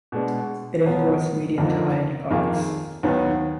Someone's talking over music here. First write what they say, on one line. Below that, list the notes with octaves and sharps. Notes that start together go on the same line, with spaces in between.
It imports medium to high-end products.
B2 G#3 D4
B2 F#3 B3 F4
F2 D3 F3 A#3 D#4
F2 D#3 A#3 F4 G#4
D#2 D#3 F#3 B3